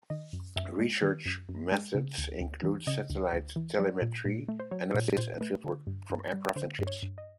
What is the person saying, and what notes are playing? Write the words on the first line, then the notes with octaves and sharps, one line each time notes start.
Research methods include satellite telemetry analysis and fieldwork from aircraft and ships.
D#3 D#5
F#2
F#2 E5
G#3
D#3
F#2
F#2
G#3
C#3
D2
D2
E3
C#3 D#5
D2
D2
E3
F#3 D5
A#2
A#2
A3
C5
F#3 C#5
A#2 C#5
A#2 C5
A3 B4
D3
G2
G2
G3
D3 C5
G2
C#5
G2
D#5